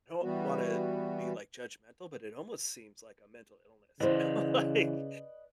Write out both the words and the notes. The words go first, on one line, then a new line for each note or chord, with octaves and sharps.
I don't wanna be, like, judgmental, but it almost seems like a mental illness, you know, like
E3 G3 B3 F#4
C#3 E3 B4 C5 D5 D#5